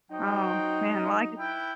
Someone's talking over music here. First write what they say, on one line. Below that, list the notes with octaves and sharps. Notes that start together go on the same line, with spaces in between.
Oh man, well, I g
F#3 D#4 F#4 C5 G5
E4 B4 G5